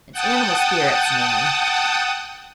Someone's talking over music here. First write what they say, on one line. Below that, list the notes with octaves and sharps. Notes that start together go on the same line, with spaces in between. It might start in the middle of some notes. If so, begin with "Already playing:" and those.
It's animal spirits, Nan.
F#5 G5 A5 D#6